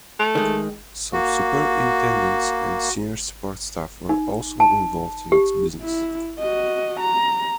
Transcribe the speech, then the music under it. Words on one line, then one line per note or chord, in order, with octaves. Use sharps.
Some superintendents and senior support staff were also involved in its business.
A3
D#3 G#3
A#3 F#4
D#4
A5
G4
E4
F#4 D#5
A#5